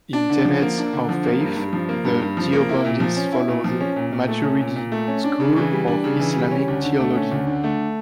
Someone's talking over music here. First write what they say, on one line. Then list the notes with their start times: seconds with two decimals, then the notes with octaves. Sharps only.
In tenets of faith, the Deobandis follow the Maturidi school of Islamic theology.
0.13 D4
0.29 D3
0.45 F3
0.62 A#3
0.78 D4
0.93 D3
1.09 F3
1.25 A#3
1.41 G2
1.57 G2
1.73 F3
1.89 A#3
2.05 G2
2.21 G2
2.37 F3
2.53 A#3
2.69 E4
2.85 A#2
3.00 F3
3.16 C#4
3.32 E4
3.48 A#2
3.64 F3
3.80 C#4
3.96 A#2
4.13 A#2
4.28 A3
4.44 C#4
4.60 A#2
4.76 A#2
4.92 A3
5.08 C#4
5.24 D4
5.40 C#3
5.56 E3
5.72 G3
5.88 D4
6.04 C#3
6.19 E3
6.36 G3
6.51 C#4
6.68 D2
6.84 D3
7.00 A3
7.15 C#4
7.31 D2
7.47 D3
7.64 A3